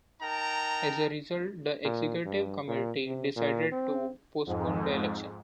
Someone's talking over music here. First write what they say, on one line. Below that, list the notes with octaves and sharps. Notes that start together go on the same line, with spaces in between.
As a result, the executive committee decided to postpone the election.
D#4 A#4 G5 A5 A#5
A#2
G2
A#2
C3
A#2
C4
F2 G#2